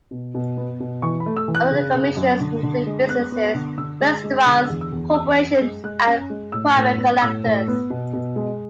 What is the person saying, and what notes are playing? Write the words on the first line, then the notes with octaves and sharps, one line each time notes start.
Other commissions include businesses, restaurants corporations and private collectors.
B2
B2
B3
B2
E3 C#6
B5
A3
E6
E3
F#6
C#3
C#3
F#2
D3
D3
G#3
B3 F#6
B3
D3
D3 E6
G#3
G#3
D3 E6
E2 E6
E6
E2
C#4 E6
C#4
G#3
G#3 F#6
C#4
G#3
A2 E6
A2
B3
A2 E6
A2
B3
B2
B2
G#3